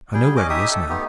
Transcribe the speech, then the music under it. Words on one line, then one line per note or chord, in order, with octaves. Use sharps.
I know where he is now.
G3 G#4 G5
C#4 D#5 D6
D#4 G4 E5 D#6
A4
A3 B3 D#4 G4